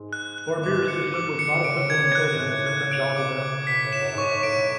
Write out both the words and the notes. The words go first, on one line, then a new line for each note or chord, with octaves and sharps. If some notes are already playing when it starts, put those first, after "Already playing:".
Barbier's system was not a simple encoding of the French alphabet.
Already playing: G#2
F#6
F#6
G#2 D6
C#7
D6
C#7
C#3 D7
C#3
B2 G#6
F#6
G#2
A2 F#6
C#3 F#6
D7
B2 D6
D6
B2 B6
A2
E7
F#2
G#2
F#2 C#6
A2
A2 D7
B2